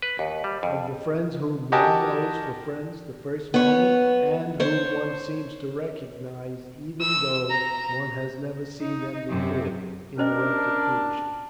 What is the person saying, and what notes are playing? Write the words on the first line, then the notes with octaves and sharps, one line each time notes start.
"Of the friends whom one knows for friends the first moment, and whom one seems to recognise even though one has never seen them before," interrupted Feversham.
B4
D#2
G3
F2
F#4 G4 A#4 D#5 G#5 A5
B3 C#5
C5 C#5
E6
A#5
D#4
F#2 C3
C#4 D4 A#4 C5 D#5